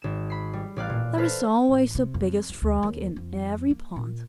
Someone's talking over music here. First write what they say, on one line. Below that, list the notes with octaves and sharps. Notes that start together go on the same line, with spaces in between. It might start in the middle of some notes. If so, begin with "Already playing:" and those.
There is always a Biggest Frog in every pond.
G#1 E7
B5 C7
G3
A1 D5 F5 F#6
A#2
A4 B4 C5 F6
A1
C3
F2
F#1
D2
D#2
F2
A#3
A#2